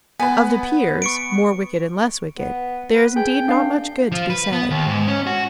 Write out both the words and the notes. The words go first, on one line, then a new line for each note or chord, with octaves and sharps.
Of the peers, more wicked and less wicked, there is indeed not much good to be said.
B3 B4 G#5
C#6 C#7 D7
B3
B4
G#4 G5
D4 F5
F3
B4
B3
D#2
G#2
C#4
F#4